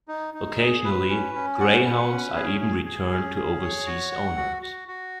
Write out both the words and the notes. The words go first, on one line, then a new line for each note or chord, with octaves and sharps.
Occasionally greyhounds are even returned to overseas owners.
D#4
D#4
G#4
B4
C#4
C#4
F#5
B4
C#4
G#4
G#4
G#4
C#4
G#4
C#5
F#4
F#5
F#4
F#4
F#4